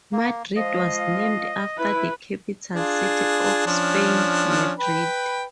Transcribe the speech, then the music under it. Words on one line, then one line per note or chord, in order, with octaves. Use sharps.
Madrid was named after the capital city of Spain, Madrid.
A#3
F3 G#3 D#5 F5
E4 B4
D4 F4 G#4
F3 C#4 D4
B4 G5 B5